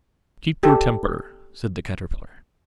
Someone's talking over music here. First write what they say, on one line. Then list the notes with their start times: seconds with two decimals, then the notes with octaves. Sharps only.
'Keep your temper,' said the Caterpillar.
0.63 G4 A4